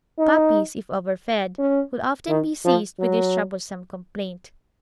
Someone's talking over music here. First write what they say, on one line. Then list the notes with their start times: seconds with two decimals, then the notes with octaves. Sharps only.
Puppies, if overfed, will often be seized with this troublesome complaint.
0.18 D#4
1.59 C#4
2.28 D#3
2.65 F3
2.99 F#3